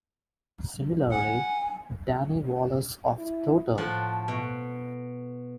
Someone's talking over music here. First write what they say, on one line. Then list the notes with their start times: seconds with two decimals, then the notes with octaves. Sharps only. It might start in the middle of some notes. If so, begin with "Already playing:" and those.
Similarly, Danny Wallace of Total!
1.11 F#5 G#5
3.18 E4
3.78 A2 F3 A4 F#5 C6
4.28 B2